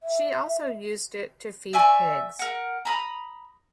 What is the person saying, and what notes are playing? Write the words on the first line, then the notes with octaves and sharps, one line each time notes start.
She also used it to feed pigs.
E5
D5 E5 G#5 C#6
A#4 F#5
A#5 B5 D#6